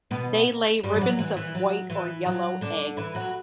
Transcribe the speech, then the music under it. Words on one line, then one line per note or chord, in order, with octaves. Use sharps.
They lay ribbons of white or yellow eggs.
B2 B3
G2 G3
E3
F#3
E3
E3
F#3
E3
F#3
D3 D4
E3 E4
F#3 F#4